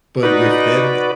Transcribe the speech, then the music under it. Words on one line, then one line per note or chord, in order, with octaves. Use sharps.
but with them e
D#4 F#4 B4 D5